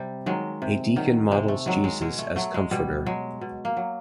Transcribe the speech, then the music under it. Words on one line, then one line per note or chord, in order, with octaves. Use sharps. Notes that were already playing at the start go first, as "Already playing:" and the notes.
A deacon models Jesus as comforter.
Already playing: C3 G3
D#3 F#3 G#3
C3
D#3 F#3
C3 G#3
A3
D#3 F#3 G#3
G#3
B2 G#3
A3
F#3 A3
G#3
B2 G3
F#3 G#3
B2
A#3
F#3